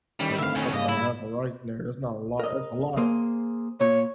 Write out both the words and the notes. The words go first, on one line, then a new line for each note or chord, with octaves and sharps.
like a cup and a half of rice in there, that's not a lot that's a lot,
A2 D#3 G3 C#4
D3 A3 C4 E5 F5
E2 C#4
G#2 C#3 G3 A#3 D#5
E4
A#4 D#5
A#3 G#4 C5
A#2 C#5